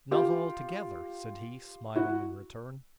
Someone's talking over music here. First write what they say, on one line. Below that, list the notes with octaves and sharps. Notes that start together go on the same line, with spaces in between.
'Not altogether,' said he, smiling in return.
F4 G4
E4 F#4